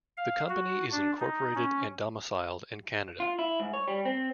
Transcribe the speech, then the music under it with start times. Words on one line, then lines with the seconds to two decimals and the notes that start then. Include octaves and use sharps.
The Company is incorporated and domiciled in Canada.
0.17 F5
0.49 F#4
0.92 D4
1.20 D#4
1.55 C#4
3.20 F4
3.39 E4
3.60 G#2
3.73 C#5
3.88 G3
4.05 C4